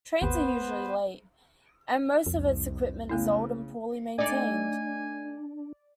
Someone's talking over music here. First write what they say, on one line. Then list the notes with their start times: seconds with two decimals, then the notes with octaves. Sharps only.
Trains are usually late, and most of its equipment is old and poorly maintained.
0.21 G#1 D#2 B3 B4 C5
2.26 C2 F2
3.09 C#3 A3 B3 E4
4.19 A3 D4 D#4 D5 G#5